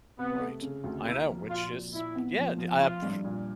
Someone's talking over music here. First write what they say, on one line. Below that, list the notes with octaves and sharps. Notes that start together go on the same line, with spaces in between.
Right. I know, which is, yeah, d I have p
C3 B3
A3
C#3
D2
A#3 E4
F3
A#2 F4
A#2
A#2 E4
B3
F3
F3
F3 F4
G2
A#2